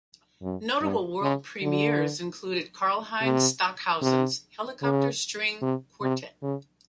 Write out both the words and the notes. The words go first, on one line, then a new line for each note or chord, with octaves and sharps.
Notable world premieres included Karlheinz Stockhausen's "Helicopter String Quartet".
F#2
G2
C#3
D3
C3
C3
C#3
C3
C3
C#3